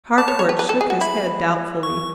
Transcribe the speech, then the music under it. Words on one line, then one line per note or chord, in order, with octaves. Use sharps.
Harcourt shook his head doubtfully.
D5 A5
C#5
C#5
B4
B4
A4
G#4
F#4
E4 B5
C#6